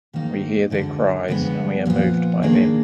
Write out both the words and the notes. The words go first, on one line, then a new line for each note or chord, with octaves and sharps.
We hear their cries and are moved by them.
G#2 D#3 A#3 D#4
D2 D3 G#3
F2 D3 G#3 B3
A#2 F3 B3
D#3 A#3 D4 G#4